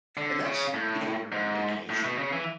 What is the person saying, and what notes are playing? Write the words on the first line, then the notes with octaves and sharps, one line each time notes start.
And that's you know, when you're on vacation
D3
C#3
A2
G#2
A2
B2
C#3
E3